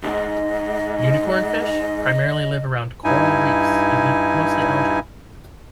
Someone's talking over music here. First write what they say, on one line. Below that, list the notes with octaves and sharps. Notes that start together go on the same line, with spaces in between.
Unicornfish primarily live around coral reefs and eat mostly algae.
B1 G#2 D#5
G2 D#4 E4 G#5